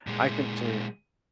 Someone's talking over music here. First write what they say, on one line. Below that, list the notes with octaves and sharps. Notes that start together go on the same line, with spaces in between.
I can tell y
A#2 G#3